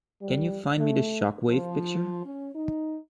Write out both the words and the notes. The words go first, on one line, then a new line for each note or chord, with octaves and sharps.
Can you find me the Shockwave picture?
G3
A3
F3
C#4
D#4